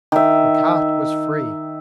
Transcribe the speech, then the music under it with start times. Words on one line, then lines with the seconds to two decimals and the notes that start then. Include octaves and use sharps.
The cart was free.
0.12 D#3 E5